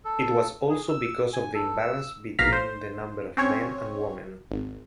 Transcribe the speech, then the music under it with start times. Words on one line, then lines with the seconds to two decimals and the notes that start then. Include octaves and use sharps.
It was also because of the imbalance between the number of men and women.
0.05 A4
0.70 G#4
0.89 E6
1.33 G#5
1.54 A4
1.79 E6
2.39 A#1 B2 F5 A#5 F6 B6
2.53 C5
3.37 C4 C#4 C#5
4.51 G#1